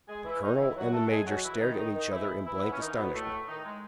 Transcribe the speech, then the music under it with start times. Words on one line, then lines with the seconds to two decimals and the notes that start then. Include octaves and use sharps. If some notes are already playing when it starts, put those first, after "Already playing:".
The colonel and the major stared at each other in blank astonishment.
0.08 G#3 G#4
0.25 E3 E4
0.42 D#3 D#4
0.59 E3 E4
0.76 F#3 F#4
0.92 A3 A4
1.10 G#3 G#4
1.26 F#3 F#4
1.43 E3 E4
1.60 D#3 D#4
1.77 D#3 D#4
1.94 D#3 D#4
2.11 E3 E4
2.45 E3 E4
2.62 B3
2.71 C#4
2.79 D#3 D#4
2.96 B2 B3
3.13 A2 A3
3.48 D#3 D#4
3.64 G#3